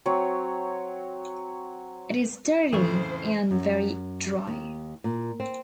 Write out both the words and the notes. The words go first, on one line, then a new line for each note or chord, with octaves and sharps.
It is dirty and very dry.
F#3 C4 C#5
F2 A2 C#3 E3 A4 C5 C#6
F#2
D#2
A#2
C4